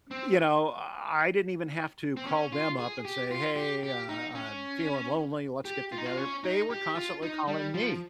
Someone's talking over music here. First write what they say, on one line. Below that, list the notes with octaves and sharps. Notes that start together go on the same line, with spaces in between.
you know, I didn't even have to call them up and say, "Hey, uh, I'm feeling lonely, let's get together," they were constantly calling me.
C4
C4
C#4
F4
G#4
G4
F4
G4
G4
D#4
C#4
G4
F4
D#4
F4
C#4
D#4
G4
F4
D#4
G3
F3